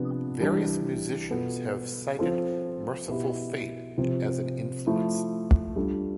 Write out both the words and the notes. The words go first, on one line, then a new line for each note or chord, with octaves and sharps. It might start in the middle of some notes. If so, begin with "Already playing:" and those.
Various musicians have cited Mercyful Fate as an influence.
Already playing: C3 F3 B3 D4
E3 G3 D4
B2 B3 F4 A4
F3 C4 F4 A4
B2 B3 E4 G4
C3 F3 C4 F4
F3 A3 E4
G3 D4 F4 A4